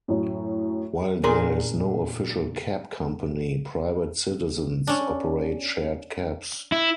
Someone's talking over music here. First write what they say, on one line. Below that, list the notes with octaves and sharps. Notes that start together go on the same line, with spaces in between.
While there is no official cab company, private citizens operate shared cabs.
F#2 A2
A#2 D4 G#4 A#4 A#5 C6
C#4 D4
E4